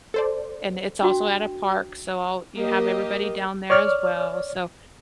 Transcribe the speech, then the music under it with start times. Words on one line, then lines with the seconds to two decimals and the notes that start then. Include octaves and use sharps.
and it's also at a park, so I'll you have everybody down there as well, so
0.14 A4 C5 D5
1.02 D4 F#4 G5
2.56 A#3 G4 D#5
3.70 C#5 D5 F6